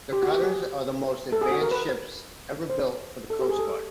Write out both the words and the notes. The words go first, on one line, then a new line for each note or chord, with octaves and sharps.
The cutters are the most advanced ships ever built for the Coast Guard.
G4
F#4
G4
G#4
A4
G#4
F#4
A#4
B4
C5
A4
G4
G#4
A4